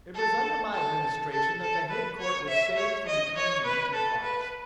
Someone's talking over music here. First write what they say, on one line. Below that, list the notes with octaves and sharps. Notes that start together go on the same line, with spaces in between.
It was under my administration that the Hague Court was saved from becoming an empty farce.
A4
A4
A4
A4
B4
C#5
E5
C#5
D#5
C#5
B4
A4
B4